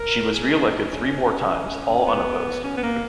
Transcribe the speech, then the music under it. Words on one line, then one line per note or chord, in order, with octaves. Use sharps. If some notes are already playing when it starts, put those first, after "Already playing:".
She was reelected three more times, all unopposed.
Already playing: A#4
G#4
D#4
C#4
B3
C#4
B3
A#3